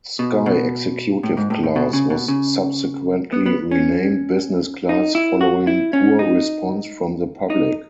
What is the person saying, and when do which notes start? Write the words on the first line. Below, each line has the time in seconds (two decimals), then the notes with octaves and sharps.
Sky Executive Class was subsequently renamed Business Class following poor response from the public.
0.19 B2
0.46 B2
1.23 A2
1.37 G#2
1.50 A2
1.64 A2
1.76 B2
1.93 C#3
2.10 B2
2.28 C#3
3.33 B3
3.46 B3
3.71 C#4
4.89 D#4
5.15 E4
5.41 F#4
5.67 E4
5.93 C#4
6.19 D#4
7.50 D#4